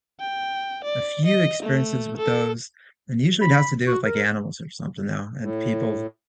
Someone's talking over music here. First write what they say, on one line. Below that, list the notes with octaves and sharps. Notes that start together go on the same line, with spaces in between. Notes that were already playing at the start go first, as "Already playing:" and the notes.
a few experiences with those, and usually it has to do with, like, animals or something now, and people,
G5
D5
D#5
A3
A4
B5
F#4
A#4
A2